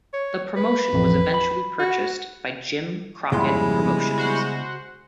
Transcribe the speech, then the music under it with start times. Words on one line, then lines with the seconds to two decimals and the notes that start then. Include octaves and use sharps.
The promotion was eventually purchased by Jim Crockett Promotions.
0.13 C#5
0.56 B4
0.93 A1 F2
1.34 B5
1.79 F#4
3.32 F2 G#2 C#3 G3 G#3 B3 E4 C6
4.18 F#4 C5 F#5